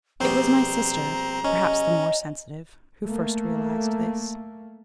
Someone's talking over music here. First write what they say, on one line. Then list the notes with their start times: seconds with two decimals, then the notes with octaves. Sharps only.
It was my sister, perhaps the more sensitive, who first realized this.
0.20 A#1 B2 G3 C4 C5 A#5
1.44 C#4 D#5
3.05 A3 A#3